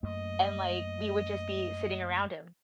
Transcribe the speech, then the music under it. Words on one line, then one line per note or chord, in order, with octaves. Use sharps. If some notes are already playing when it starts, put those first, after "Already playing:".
and, like, we would just be sitting around him.
F#2 A3 A#3 D#5